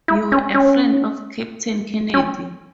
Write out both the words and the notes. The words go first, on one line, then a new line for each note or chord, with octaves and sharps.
You were a friend of Captain Kennedy?
E4
C#4
C#4
C#4